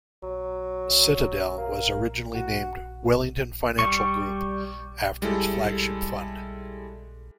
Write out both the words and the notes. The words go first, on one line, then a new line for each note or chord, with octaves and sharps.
Citadel was originally named Wellington Financial Group after its flagship fund.
F#3
A#3
F#4
G3 C#6
G3 G#3 E4 A4